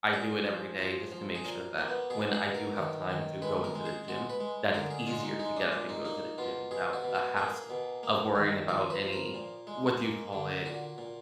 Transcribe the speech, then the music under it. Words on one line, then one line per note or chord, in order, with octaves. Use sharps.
I do it every day just to make sure that when I do have time to go into the gym, that it's easier to get up and go to the gym without a hassle of worrying about any- what do you call it-
A#2 G#4
F3
F3
F3
G#4
A#2 A#4
A#3
B3
B2 G#4
G#4
B2
A#4
D#3
D#3
G#3 B4
A#4
G#3
G#4
G#3 F#4
B4
G#3
D3 A#4
G#4
G#3 F4
D#4
G#3 D#4
D4
A#2 D4
D#4
A#3 D#4
B2 F4
B2 G#4
F#4
B2
F#4
A#3 G#4
B2
A#3
D#3
F3 A#4
B4
F3
A#4
A#2
G#3
A#3
D3
A#2 F#4
A#2